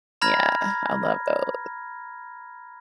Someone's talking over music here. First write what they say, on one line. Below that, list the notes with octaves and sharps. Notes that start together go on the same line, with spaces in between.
Yeah, I love those.
A#5 B5 F6 G#6 A#6